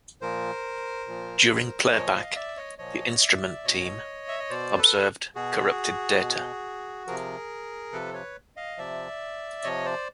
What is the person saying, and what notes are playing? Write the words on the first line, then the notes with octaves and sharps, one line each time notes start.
During playback the instrument team observed corrupted data.
A#2 F3 A#4 C5
A#2 F3
A#2 F3 C#5 D#5
D#5 F5
D5 E5
C#5 D#5
A#2 F3 C#5 D#5
D5 E5
B2 C#5 D#5
E5
D#5
B2 C5 D5
A4 B4
B2 F#4 G#4
B2
C3 F3 G#4 A#4
C3 F3 A4 B4
B4 C#5
D#5 F5
C3 F3 D5 E5
C3 F3 C#5 D#5
C5 D5